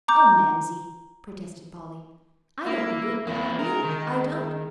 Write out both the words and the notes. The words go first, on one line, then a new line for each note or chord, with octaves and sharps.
"Oh, Mamsie," protested Polly, "I don't need it; really, I don't."
A#5 D6 G6
A#3 E4
E2 A#3 E4
G#3 A#4
D#3